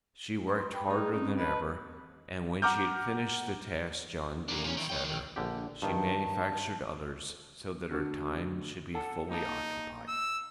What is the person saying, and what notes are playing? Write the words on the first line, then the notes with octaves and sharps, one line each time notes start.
She worked harder than ever and, when she had finished the tasks John Dene set her, she manufactured others so that her time should be fully occupied.
B4 B5 C6
G5 B5
A3 D#4 G#4
C4 C#4 D#4
B4 D#5 A5
F#5 A#5 D6 F6 G6
A#3 D4
A#2 C#4
D#3 E3
C#5 G5
D#3
A#1 D3 G4
G2 D#3 A5
D2 D4 F#4
A4 F#5 A5
A#3 D#4 A5
E6